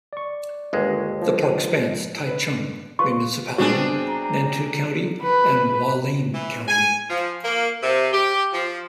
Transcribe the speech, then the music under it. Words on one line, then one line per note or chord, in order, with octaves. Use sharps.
The park spans Taichung Municipality, Nantou County, and Hualien County.
D5 C#6
G1 D#2 G#3
F3
B4
F4 B4 C6 C#6
G2 B2 C4 D4 F#4 G#4
A#5
B4
E3
G#5
F3
A#3
C3
G4
F3